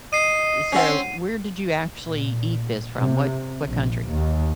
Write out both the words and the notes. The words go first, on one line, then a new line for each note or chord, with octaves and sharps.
so where did you actually eat this from? What what country?
D#5 C7 D#7
C4 C#4 C#5 F#5
A#2
C3
A#1
D#2